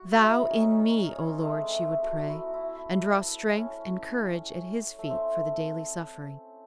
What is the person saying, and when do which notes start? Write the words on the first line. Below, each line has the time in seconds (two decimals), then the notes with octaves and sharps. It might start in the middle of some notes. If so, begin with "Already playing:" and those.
"Thou in me, O Lord," she would pray, and draw strength and courage at His feet for the daily suffering.
Already playing: F#4
0.11 E4
0.30 D#4
0.49 C#4
0.60 D#4
0.70 C#4
0.80 D#4
0.90 C#4
1.15 C#4
1.26 C4
1.38 A3
1.45 G#3
1.64 A3
1.83 A3
2.03 F#4
2.28 E4
2.54 E4
3.57 C#4
4.99 A3
5.09 C4